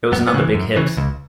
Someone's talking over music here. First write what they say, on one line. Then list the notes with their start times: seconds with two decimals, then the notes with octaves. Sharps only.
It was another big hit.
0.12 F#2 B3
0.28 B3
0.34 C#3 E3
0.54 F#2
0.76 C#3 E3
0.97 C#2